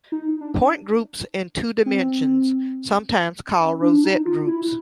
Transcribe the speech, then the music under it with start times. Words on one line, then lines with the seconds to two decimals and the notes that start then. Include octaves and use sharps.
Point groups in two dimensions, sometimes called rosette groups.
0.12 D#4
0.41 D4
1.86 C4
3.60 C#4
3.82 D4
4.04 D#4
4.25 F4
4.47 E4